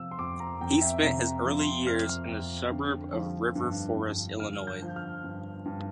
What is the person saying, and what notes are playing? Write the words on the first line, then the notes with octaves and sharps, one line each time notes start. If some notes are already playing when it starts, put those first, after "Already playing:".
He spent his early years in the suburb of River Forest, Illinois.
Already playing: C3 F3 E6
C6
F2 D6
A#5
F2 G5
E5
C3 A#5
F3
C6
F2 F6
F2
D3
F3
G2
G2
D3 F6
G6
F3
F6
G2
G2